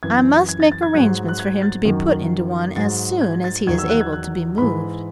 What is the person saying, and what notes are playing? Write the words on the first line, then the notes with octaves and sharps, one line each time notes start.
"I must make arrangements for him to be put into one as soon as he is able to be moved."
F#2 E3 G#6
G#6
A6
A6
G#6
G#2 F#3 F#6
F#6
G#6
A6
F#2 D#3 F#3
G#2 F#3 A6
G#6
A6
E2 D#3 F#3 G#6
E6
F#6
G#6
F#6
G#2 E3 B5